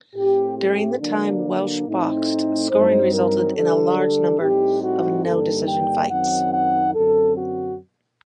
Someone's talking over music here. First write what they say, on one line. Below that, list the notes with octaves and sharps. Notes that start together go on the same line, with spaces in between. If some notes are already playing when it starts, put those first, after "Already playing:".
During the time Welsh boxed, scoring resulted in a large number of no-decision fights.
A2 A3 C4 G4
G4
D3 F#3 A#3 D4
A2 A3 C4 D#4
G2 F#3 C4 D#4 C5
A#4
D3 G3 D4 A4
A4
A2 G3 C4 D#4 G4
F#4
G2 D3 G3 A#3 D#4 A4
G5
F#2 D#3 F#3 C4 D#4 F#5
F#5
F#2 D3 F#3 C4 A4
F#4